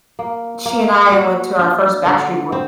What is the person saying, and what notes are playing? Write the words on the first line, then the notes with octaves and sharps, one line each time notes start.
she and I went to our first Backstreet Boy
A#3
A#3
F#4
D4
D3
C4